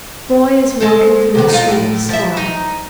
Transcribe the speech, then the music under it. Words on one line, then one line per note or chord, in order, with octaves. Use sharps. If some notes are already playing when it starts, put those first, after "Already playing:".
The boy is walking through the street of his town.
G#3 A4 C5
C3 D#3 B3
D#4 F4
A2
F3 E5
D#4